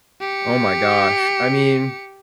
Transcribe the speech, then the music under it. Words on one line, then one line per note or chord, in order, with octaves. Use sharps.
Oh my gosh, I mean,
G4 C#7